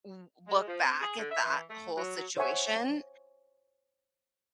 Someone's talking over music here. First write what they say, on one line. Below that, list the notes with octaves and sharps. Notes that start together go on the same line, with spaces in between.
w look back at that whole situation,
G#3
F3
C4
G#4
D3
E5
E3
A3
F#3
F#3
C5 C#5 E5 F#5 G#5 C#6